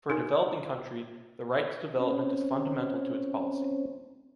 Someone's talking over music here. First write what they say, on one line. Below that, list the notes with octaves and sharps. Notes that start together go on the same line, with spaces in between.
For a developing country, the right to development is fundamental to its policy.
D#4 A#4 G#5
C4 C#4